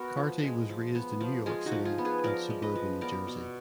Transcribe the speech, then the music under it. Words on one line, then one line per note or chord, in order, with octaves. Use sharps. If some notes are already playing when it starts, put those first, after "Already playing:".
Carty was raised in New York City and suburban New Jersey.
Already playing: B3 F#4 A#4
F3
G#3
F3
B3
F3
G#3 F4 G#4
D#4 F#4
F3
F4 G#4
B3
G#4 B4
F3 A#4 D5
G#3
B4 D#5
F3
B3 A#4 D5
B2